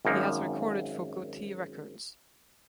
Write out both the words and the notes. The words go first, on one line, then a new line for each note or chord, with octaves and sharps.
He has recorded for Gotee Records.
G#1 F#2 A#3 D#4